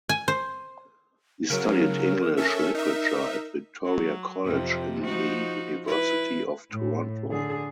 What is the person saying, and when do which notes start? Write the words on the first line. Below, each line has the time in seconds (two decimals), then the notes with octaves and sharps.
He studied English literature at Victoria College in the University of Toronto.
0.09 G#5
0.28 C5
1.50 C#3 F#3 A#4
2.37 C#4 A4 E5
2.74 D#4 E5
3.84 F#3
4.44 F2 C3
5.05 F3 D#4 F#4
5.84 E4 B4
6.72 A2
7.30 D3 G#4